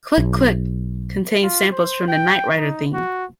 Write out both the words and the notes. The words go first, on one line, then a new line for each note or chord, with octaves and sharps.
"Click Click" contains samples from the "Knight Rider" theme.
B1
F4
C5
G5
D#4
F#4